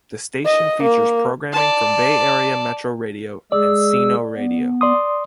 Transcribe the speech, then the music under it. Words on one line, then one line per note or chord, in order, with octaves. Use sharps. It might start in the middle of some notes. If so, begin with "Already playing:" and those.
The station features programming from Bay Area Metro Radio and Sino Radio.
D#5
A#3
D5 A5
G#3 G#4 D5 E6
B3
D5 C6 D#6